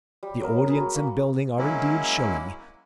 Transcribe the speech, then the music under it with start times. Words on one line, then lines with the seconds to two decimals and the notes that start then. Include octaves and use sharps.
The audience and building are indeed showy.
0.23 G3
0.41 F#3 B3 A#4
0.66 G#4 A#4 B4
0.80 F#4
0.94 A#3 F#4
1.58 F#3 G#3 A#3 C#4 E4